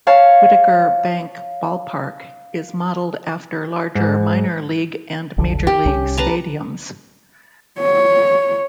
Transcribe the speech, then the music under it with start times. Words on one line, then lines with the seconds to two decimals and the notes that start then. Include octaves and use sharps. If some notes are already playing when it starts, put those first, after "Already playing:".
Whitaker Bank Ballpark is modeled after larger minor-league and major-league stadiums.
0.07 C#5 F5 A5
3.95 G#2
5.38 F1 B1 D3
5.67 G4
5.85 C2 C#4
6.17 B4 A5 A#5
7.79 C#5